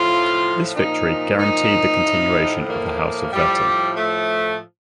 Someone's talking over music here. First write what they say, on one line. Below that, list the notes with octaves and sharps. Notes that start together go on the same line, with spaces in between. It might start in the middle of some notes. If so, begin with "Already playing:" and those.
This victory guaranteed the continuation of the House of Wettin.
Already playing: A2 F3 F4
A#2 F3 D#4
D#4
A2 F3
A#3
A2 F3 G3
A3